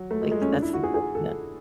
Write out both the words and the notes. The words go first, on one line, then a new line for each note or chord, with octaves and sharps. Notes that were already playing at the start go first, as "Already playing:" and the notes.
Like, that's the good yep.
Already playing: F#3
A3
G#3
G#3
C#4
D4
E4
F#4
G#4
G#4
A4